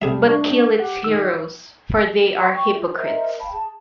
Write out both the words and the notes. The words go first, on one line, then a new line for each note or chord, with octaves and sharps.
But kill its heroes for they are hypocrites.
C3 G3 A3 G#4 E5
D4 C#6
G4 F#5
D#3 E6
C5 C#5 F#5 C6
E5 G5 C#6
F4
A#4 C5 D#5 E5
F5 G5 A5 B5
G#4 A5